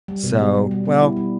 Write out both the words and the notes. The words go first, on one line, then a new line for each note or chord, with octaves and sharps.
so, well,
G3
B2
G3
G3
G3
B3
E4
G3